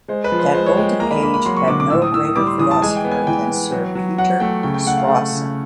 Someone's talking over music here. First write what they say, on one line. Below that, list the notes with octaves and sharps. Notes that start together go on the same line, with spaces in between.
That golden age had no greater philosopher than Sir Peter Strawson.
G#3 C5
B4
F3
C5
G#3 C5
C#5
G#3 G5
A#3 A#5
B5
A#3 B5
B5
F#3 C6
C#6
D3 D6
D6
A2 E6
D#6
A2 E6
D#6
G3 D6
C6
E3 D#6
A5
G#3 G#5
G5
B3
G#5
E3 G5
B3
F#3
F#3
F#3 F#5
A3 G5
C#3 G5
G5
A3 F#5
F5
A3
C#3